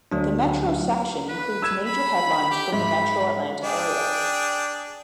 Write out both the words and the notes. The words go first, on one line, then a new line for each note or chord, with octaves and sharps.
The Metro section includes major headlines from the Metro-Atlanta area.
D2 F#3 D4
B4
E6 G#6 E7
B5
G4
G#2 E5 B5
D4 G#4 G5